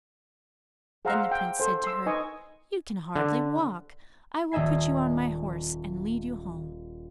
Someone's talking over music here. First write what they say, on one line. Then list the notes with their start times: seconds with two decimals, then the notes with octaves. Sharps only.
Then the Prince said to her, 'You can hardly walk; I will put you on my horse and lead you home.
1.05 G#4 C5 F5 F#5 A#5 E6
1.31 G5
1.59 A4 C5 G#5
1.84 C6 E6
2.06 D#4 B4 D#5 G#5 C#6
3.16 D3
4.52 D#1 D#5 E5 G#5 C7